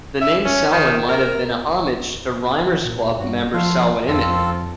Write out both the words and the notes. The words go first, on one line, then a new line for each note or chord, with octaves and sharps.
The name "Selwyn" might have been an homage to Rhymers' Club member Selwyn Image.
E5
C#4
D#3
A#4
F#3
A#2
G2 F#4
F3 A3 F4 F5
F2 C4 F4 A4